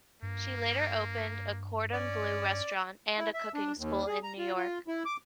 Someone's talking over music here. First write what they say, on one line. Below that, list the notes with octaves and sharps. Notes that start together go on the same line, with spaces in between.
She later opened a Cordon Bleu restaurant and a cooking school in New York.
G2 A#3
C#4 D5
E4
E5
D4
D#2
G#4
A#5
F4
F4
E4
D6